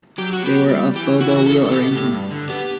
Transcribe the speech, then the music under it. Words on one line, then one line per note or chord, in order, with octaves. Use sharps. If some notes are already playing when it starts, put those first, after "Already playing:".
They were of Bo-Bo wheel arrangement.
F#3 G4
F#4
B3 G4
G3
E3 G4
E3 F#4
E4
F#4
C#3 A4
A4
B2 G4
A2
G2
D3
B3 G4